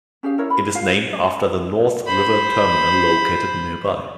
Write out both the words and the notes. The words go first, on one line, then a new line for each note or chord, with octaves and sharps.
It is named after the North River Terminal located nearby.
C#4 G4 G#4 F5
E4 A#4 C#5
B5
F4 F5
C5 B5